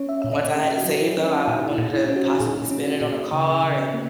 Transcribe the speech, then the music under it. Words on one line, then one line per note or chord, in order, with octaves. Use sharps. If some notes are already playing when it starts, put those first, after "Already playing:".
once I had it saved though, I I wanted to possibly spend it on a car and,
Already playing: C#4 C#5
E5
A#2 E5
D#5
C#4 G#4
F#4
F#3
E4
C#4
D#4
A#2 D#4
E4
A#2
E4
C#4
F#4
A#2 G#4
C#4
A#2
C#3
C#3
A#3